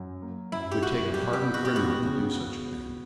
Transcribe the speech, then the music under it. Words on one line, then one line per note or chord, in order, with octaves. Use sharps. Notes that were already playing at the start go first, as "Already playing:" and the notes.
It would take a hardened criminal to do such a thing.
Already playing: F#2
A#3
F#2 E4
G4
F#2 F#4
G3 G4
G4
B3
F#4
G4
B3 F#4
C#3
B3
B3